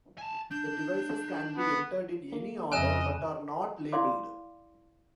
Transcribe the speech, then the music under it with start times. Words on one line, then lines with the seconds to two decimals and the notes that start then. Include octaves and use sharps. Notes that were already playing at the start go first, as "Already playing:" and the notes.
The devices can be entered in any order, but are not labeled.
0.18 G#5 A5
0.51 D4 G6
1.57 B3
2.32 A#3
2.72 F2 C#3 D#5 E5 G#5 F6 F#6 E7
3.92 E4 D5 F5 C6 D6